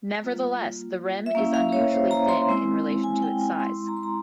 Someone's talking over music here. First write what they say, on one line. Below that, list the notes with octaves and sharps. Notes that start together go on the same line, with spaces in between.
Nevertheless, the rim is unusually thin in relation to its size.
G3 A#3 F4
E5
A#3 C#4 E4 F5
F5
C#5
C5
A#5
C6
G#3 C4 E4
G#5
G5
G#5
G#3 E4 C6
A#5
C6
A#5